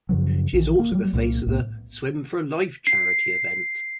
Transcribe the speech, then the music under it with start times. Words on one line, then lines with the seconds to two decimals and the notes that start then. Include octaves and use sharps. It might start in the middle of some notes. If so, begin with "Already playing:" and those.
She is also the face of the "Swim for Life" charity event.
0.09 F#2 C#3 F3 F#3
0.53 A#1 D#3 E3
0.79 A#3
0.92 F#3 G3
1.13 C2 A#2 F3 A#3
1.46 B1 A2 B3
2.87 C7